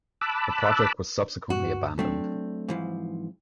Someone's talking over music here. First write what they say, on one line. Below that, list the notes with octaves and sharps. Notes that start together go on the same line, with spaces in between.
The project was subsequently abandoned.
A5 B5 D6 E6 F#6
G2 F#4
F#3 A3 C4 D4
G#2 E3 F3